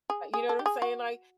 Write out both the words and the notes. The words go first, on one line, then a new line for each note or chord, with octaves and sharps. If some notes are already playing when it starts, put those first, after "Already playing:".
you know what I'm saying, like,
G#4
G#4
A4
G4
G#4
F#4